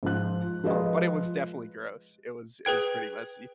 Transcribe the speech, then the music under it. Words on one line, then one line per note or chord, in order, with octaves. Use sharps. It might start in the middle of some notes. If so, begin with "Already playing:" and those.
Um, but it was definitely gross. It was it was pretty messy.
G#2 F3 F#6
F3 G#3 F4 G#4 B4 D#5
G#4 B4 G5 G#6